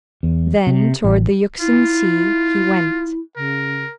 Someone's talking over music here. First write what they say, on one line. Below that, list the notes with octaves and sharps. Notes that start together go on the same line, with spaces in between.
Then toward the Euxine Sea he went.
E2
C3
A1
E4 F4
C#3 A#4